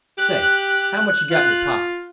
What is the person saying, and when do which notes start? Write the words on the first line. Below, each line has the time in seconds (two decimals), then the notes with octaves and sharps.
Say, how much you got in your pocket?
0.18 G4 F#6
1.31 F4